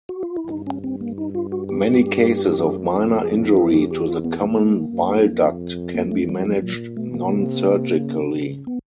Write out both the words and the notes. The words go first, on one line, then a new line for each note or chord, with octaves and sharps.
Many cases of minor injury to the common bile duct can be managed non-surgically.
F#4
F4
E4
G2 D#4
C#4
C4
A#3
D#4
F4
F#4
G4
F#2
F2
F2 G#4
G#4
G4
E2 G4
F4
B3
A#3
F#2
F2
A#3
A3
G3
F#3
A#2 F#3
B2 A3
A#3
C3
C#3
C#3
B3